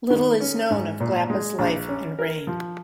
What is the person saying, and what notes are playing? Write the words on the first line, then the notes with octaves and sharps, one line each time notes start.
Little is known of Glappa's life and reign.
D#3
C#4
G#2
A#2
G#3
A#1
C#4
A#4
F3